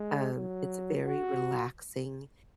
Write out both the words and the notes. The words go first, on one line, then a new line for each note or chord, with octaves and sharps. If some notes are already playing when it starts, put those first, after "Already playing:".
um, it's very relaxing,
Already playing: G#3
F#3
F#4